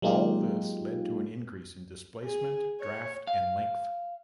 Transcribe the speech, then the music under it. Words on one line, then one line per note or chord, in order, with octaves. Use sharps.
All this led to an increase in displacement, draught and length.
F#3 G#3 A#3 D#4 F4 G4
G#4
C#5
F5